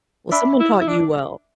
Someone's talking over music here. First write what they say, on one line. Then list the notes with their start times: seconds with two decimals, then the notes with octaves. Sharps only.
Well, someone taught you well.
0.31 D4 E5 B5 E6
0.60 E4
0.81 E4
0.88 D4